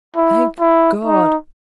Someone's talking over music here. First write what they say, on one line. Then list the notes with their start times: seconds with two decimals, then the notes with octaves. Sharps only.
Thank God!
0.16 E4
0.60 E4
1.05 D#4